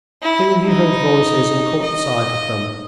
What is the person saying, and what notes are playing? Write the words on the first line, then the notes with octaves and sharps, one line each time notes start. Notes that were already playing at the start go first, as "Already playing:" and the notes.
Soon he heard voices and caught sight of them.
E4
D#4
D#5